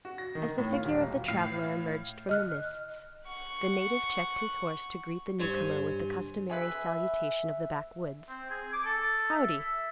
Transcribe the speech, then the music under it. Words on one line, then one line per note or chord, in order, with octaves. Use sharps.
As the figure of the traveler emerged from the mists, the native checked his horse to greet the newcomer with the customary salutation of the backwoods, "Howdy."
F#4
A#6
D#3
A2
F4
D#1
B1
A2 F5
D#5 F6 F#6
F#5 C#6
G2 C5 C#5 G#5
B4 E5 G#5
C4
G#4
D6
A4
E5
E5